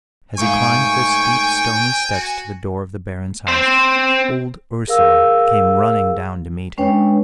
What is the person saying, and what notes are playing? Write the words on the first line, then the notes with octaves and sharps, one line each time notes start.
As he climbed the steep, stony steps to the door of the Baron's house, old Ursela came running down to meet him.
G#2 A3 F5 G5 G#5 C#6
F#4
C4 C5
G#4 A#4 F5 E6
G#3 C#4 D4 B4 C#5 G5